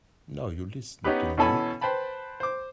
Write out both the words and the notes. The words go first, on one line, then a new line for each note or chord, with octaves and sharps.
Now you listen to me.
B3 C#4 D#4 G4 B4
B2 E3 C#4 A4 G#5 B5
B4 C5 G5 A5 B5
C5 D6